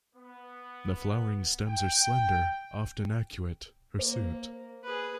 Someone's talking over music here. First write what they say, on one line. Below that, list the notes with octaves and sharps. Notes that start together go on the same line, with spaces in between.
The flowering stems are slender, often arcuate, hirsute.
B3
G5
A#3 C5
G#4 B4